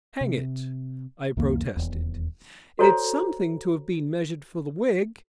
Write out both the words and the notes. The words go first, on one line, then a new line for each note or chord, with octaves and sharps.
"Hang it," I protested, "it's something to have been measured for the wig."
C3
C#2 F#2 D#3 A#3
D#1 E2
F#4 A4 C5 C#5 A#5